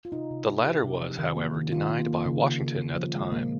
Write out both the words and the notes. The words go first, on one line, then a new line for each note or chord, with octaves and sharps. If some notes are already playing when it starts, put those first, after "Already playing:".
The latter was, however, denied by Washington at the time.
F4
C3 D#4
C3
A#3
C3 G4
C3
F3
D#3
A#3
D#3
D#3 F4
A#3
A#3
C#3
C#3
C#3
C#3
F3
G#3
A#2 A#3